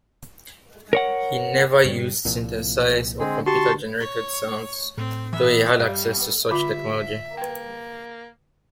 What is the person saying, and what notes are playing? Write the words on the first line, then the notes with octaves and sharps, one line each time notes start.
He never used synthesized or computer-generated sounds, though he had access to such technology.
A#4 C#5 F#5
G2 C#3 G3
C2 A#2 F3
D3 G#3 C4 G#4
F#4 G4 A5 C6 C#6
C#5
A2 C4
E3 B3 E5
G2 G3 G4 D#5 F5
D3 F4 E5 B5
A#3 B4 G5